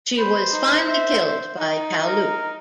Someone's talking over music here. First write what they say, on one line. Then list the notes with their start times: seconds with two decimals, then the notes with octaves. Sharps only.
She was finally killed by Kaulu.
0.18 B4 C5
0.51 D#4
0.87 E5
1.58 D#4
2.06 A#4